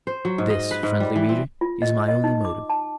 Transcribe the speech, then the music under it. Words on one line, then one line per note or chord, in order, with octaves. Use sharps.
This, friendly reader, is my only motive.
C5
F#3
G#2
D#5
B4
G#2
G3
E3
C4
F4
D#5
D#5
D#4
D6
A5